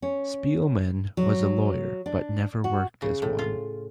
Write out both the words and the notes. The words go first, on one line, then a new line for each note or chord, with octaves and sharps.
Spielmann was a lawyer but never worked as one.
C#4
F#3
D4
F#4
C#3
A2
F4